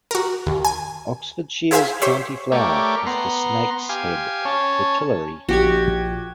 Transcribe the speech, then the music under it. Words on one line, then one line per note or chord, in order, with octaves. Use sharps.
Oxfordshire's county flower is the snake's-head fritillary.
F#4 A#4
D#2
G#5
E4 G#4 C5 E5 F5 G#5
G4 C5 C#5 E5
A3 G4 A#4 C#5 D5
B3 A#5 C6
G4 F5 G#5
C#4 C#5 A5
A#1 F#4 G4 G#6